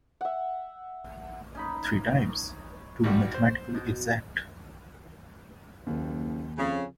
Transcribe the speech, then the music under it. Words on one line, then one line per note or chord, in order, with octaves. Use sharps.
Three times, to be mathematically exact.
E5 F#5
C#4 D#4 B5
G#1 G3 F#4
C5
B2
F#1 D#2
F2 C#3